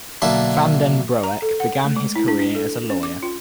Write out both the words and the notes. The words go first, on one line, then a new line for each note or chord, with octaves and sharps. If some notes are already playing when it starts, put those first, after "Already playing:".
Van den Broek began his career as a lawyer.
B1 D3 A#3 E4 A5 B5
A#5
A4
F#5
A3
G#3
E4
D4
D4
A4
C#4
D6
F4